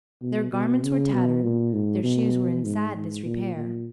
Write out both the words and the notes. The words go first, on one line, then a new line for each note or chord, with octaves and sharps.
Their garments were tattered, their shoes were in sad disrepair.
B2
B2
C#3
B2
A#2
G#2
B2
G#2
G#2
A#2
A#2